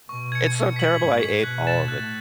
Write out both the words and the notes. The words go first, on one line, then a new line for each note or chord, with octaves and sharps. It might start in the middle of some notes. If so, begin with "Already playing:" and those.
It's so terrible, I ate all of it.
B2 C#6
G#6 C#7
G#6
B6 F#7
G#2 G#6
B6 F#7
B2 F#6
A6 E7
A2 F#6